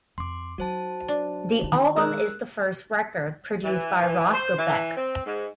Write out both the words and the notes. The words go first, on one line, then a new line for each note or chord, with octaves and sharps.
The album is the first record produced by Roscoe Beck.
F2 C6 D6
F#3 D#4 F#4 C5 A5
D4
D#3 D#4
G#3 A#4 D5 E6 F#6
E3
C5
E3
C4
G#2